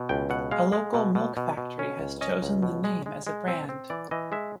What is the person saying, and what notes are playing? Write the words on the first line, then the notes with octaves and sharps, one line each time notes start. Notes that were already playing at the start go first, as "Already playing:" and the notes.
A local milk-factory has chosen the name as a brand.
Already playing: B2
C#2 G5
B2 F#5
G#3 F5
G#3
B2
B2
B2
B2
C#4
C#2
C#4 D#5
C#2
B2
G#3
G#3
G#3
C4
C4
E3 D5
E3 D#5
G#3 E5